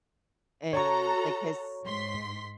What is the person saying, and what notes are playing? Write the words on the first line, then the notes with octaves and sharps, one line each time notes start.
And, like, his
F#4 A4 C#5 A#5 C#6
G#2 C6 B6